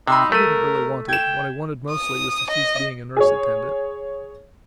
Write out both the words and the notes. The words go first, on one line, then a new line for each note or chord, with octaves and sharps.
I didn't really want it; what I wanted mostly was to cease being a nurse-attendant.
C3 D#4 B5 C6 E6
A3 A#4 B6 D#7
G5 G#6 E7
D#6
D#5
G#4 C#5